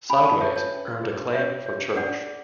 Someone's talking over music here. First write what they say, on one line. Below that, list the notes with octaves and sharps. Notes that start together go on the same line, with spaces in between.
"Sideways" earned acclaim for Church.
C#4 G#5 B5
A5 C#6
G#4 B4 C#5 E5
C#5
C#4
G#4 C#5
C#4 C#5 E5
G#4 C#5
D4 D5 F#5
G#4